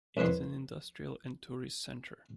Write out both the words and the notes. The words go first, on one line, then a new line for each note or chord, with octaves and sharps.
It is an industrial and tourist centre.
C2 F2 B4 C#5 C6